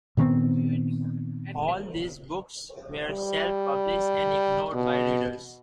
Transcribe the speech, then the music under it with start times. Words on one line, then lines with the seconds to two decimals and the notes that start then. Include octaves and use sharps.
All these books were self-published and ignored by readers.
0.17 A#2 D#3 B3 C4
3.10 G3
4.73 B2